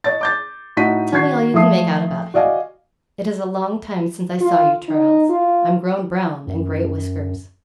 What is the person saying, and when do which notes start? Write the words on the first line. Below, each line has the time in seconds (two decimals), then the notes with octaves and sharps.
Tell me all you can make out about him. It is a long time since I saw you, Charles; I'm grown brown, and great whiskers.
0.04 C#5 D#5 A6
0.21 D6 G6 A6
0.77 A2 D#4 F#4 D#5 B6 D#7
1.13 D#3 F#4 C#6 G#6 C7
1.54 F3 A3 E5 D#6 C7
2.34 F#4 D5 D#5 F5 G#5
4.41 F4
4.88 D#4
5.29 F4
6.47 F#2